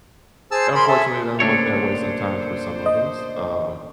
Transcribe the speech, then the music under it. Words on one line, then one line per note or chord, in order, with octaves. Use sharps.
unfortunately, it doesn't work that way sometimes for some of us, um,
G#4 C5 A5 E6
G#4 A#4 B5 C6
G#4 A4 E5
A#2 C#3 A3 D4 A4 C5 C#5
D#5